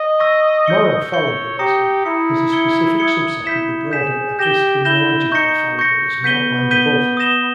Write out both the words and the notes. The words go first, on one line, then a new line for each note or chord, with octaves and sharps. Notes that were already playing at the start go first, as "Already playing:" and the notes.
Moral fallibilism is a specific subset of the broader epistemological fallibilism outlined above.
Already playing: D#5
C#6 E6 A#6
G6 C#7 G7
C#5 G6 C#7 G7
G4 A#5 D#6 A#6 C#7
E4 A#5 D#6 A#6 C#7
D#6 G#6 C#7 G7
D#6 G#6 C#7 G7
E4 G6 B6 E7
G#4 G6 B6 E7
G4 G6 A#6 E7 G7
E4 G6 A#6 E7 G7
D#4 C#6 G6 A#6 C#7
C#6 G6 A#6 C#7
B3 G6 B6 D#7 G7
G6 B6 D#7 G7
D#6 A#6 E7 G7